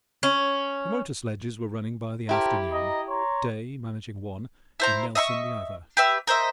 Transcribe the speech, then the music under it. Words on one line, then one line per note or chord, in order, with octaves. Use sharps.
The motor sledges were running by the afternoon, Day managing one and Nelson the other.
C#4
E4 G4 A4 A#4 C5
D#5 A#5
C#5 A#5 C6
E4 C5 A#5
D#5 E5 C6 C#6
G4 B4 E5 E6
A#4 C5 D#5 E5